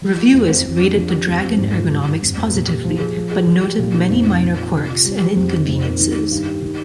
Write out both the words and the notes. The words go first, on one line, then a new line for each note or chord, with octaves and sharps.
Reviewers rated the Dragon ergonomics positively but noted many minor quirks and inconveniences.
F3
F4
F2
F2
F2
D4
F3
G4
F2
F2
G#2
F4
G2
G2
F2
F2
A#2
G4
F3
G#4
F3
G#4
F3
G4
A#2
D#4
F2
F2
A#2
F4
C3
F4
G3
G4
F2
D#4
F2
A#3
D#3
D#3
G2
G4
D#3